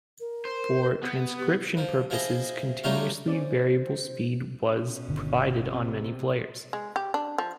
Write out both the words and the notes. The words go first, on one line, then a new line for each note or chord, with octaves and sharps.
For transcription purposes, continuously variable speed was provided on many players.
A#4
C5
B3
G4
F3
F3 E4 G#4 D#5
F#3 G3 A3 D#4 F4
C#4 C5 D5
B2 C#4
G1 D3 D#3
C3
G#3
G4
D4
F3